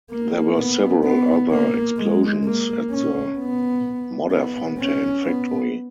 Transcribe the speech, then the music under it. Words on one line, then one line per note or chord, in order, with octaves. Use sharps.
There were several other explosions at the Modderfontein factory.
A#3
B3
B3
A#3
G#3
A#3
C#4
B3
B3
C#4
B3